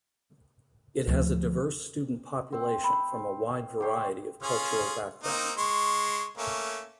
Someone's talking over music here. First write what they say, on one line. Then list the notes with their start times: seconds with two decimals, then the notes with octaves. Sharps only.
It has a diverse student population from a wide variety of cultural backgrounds.
1.07 D2 F3
2.52 C4
2.84 B5
3.80 G4 C5 C#5
4.43 C#4 F4 G#4
5.23 A#3 C4 D#4
5.58 G#3 C6 C#6
6.38 A3 A#3 C#4